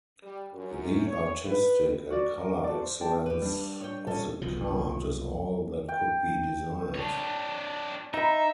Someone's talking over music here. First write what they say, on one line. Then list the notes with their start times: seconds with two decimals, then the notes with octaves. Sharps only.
The artistic and color excellence of the card is all that could be desired.
0.22 G3
0.53 F#2
1.05 C#5
1.44 B4
2.10 F#4 D5
2.38 A#4
2.64 F#4 A4 D5
2.82 C5
3.00 D5 G5 A5
3.26 G4 B4
3.42 G3 D4
3.81 C#5 G5
4.07 A#2 G3 C#4 A4
4.41 F#1 C2 B2 F3
5.88 G5
6.95 D4 C#5
8.14 D#4 E5 A#5 B5